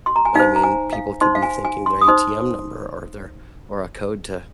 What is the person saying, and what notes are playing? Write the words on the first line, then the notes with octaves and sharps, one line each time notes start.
I mean, people could be thinking their ATM number or their or a code to
C6
A#5
G#5
D#4 C5 F5
A#5
G#5
F5
D#4 C5 C6
F5
G#5
G#5
C6
D#6
D#4 C5 C6